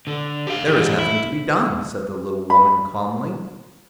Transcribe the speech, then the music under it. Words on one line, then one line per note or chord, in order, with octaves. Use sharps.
"There is nothing to be done," said the little woman calmly.
D3
G4 F5
E3 G4
E4
B5